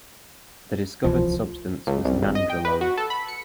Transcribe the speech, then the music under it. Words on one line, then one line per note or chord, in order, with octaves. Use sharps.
The discovered substance was nandrolone.
D1 C2 E3 F3
C#2
C2
G#1
D#5
G5
B4
F#4
A4
B5
C#7